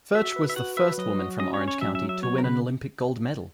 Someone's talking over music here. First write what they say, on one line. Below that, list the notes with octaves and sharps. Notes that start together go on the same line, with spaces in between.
Furtsch was the first woman from Orange County to win an Olympic gold medal.
F#4 E5
B4
E5
F#4 F#5
B4 E5
F#3 D#5
F#4
C#4 D#5
C#5
C#4
C#5
F#3 E5
E5
F#3
E5
B3 C#5
A#4
C#3 B4